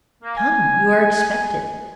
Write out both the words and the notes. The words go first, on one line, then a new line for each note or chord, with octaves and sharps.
"Come, you are expected!"
A#3
G#5